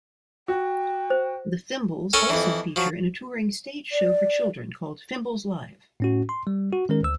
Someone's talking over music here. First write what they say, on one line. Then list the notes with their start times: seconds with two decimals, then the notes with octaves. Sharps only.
The Fimbles also feature in a touring stage show for children called Fimbles Live!
0.48 F#4 G5
1.10 C5
2.13 C#4 A4 A#4 G#5 A5
2.30 F2 E3
2.76 F3 F#3
3.92 D5
6.00 A2 C#4 F#4
6.29 C6
6.47 G3
6.72 F#4
6.89 D#3 G#3 C#4 A#4
7.03 D2 E6